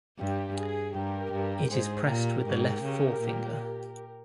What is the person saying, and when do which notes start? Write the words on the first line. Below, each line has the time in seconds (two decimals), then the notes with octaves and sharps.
It is pressed with the left forefinger.
0.18 G2 G4
0.56 G#4
0.94 G2 G4 A#4
1.32 G2
1.70 G#2 G#4 C5
2.07 A#2 G4 A#4
2.46 G#2
2.83 C#3
3.21 A#2